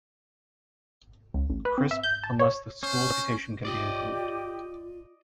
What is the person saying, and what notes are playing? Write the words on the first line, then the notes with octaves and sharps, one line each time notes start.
Crisp, unless the school's reputation can be improved.
C#2
A1
B4
C4
E5
G6
A5
C#5
C#4 C5
F4 G4 D5 D#5